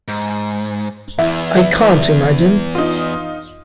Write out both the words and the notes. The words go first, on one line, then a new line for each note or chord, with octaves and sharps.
I can't imagine.
G#2
E2 E4
D#4 F4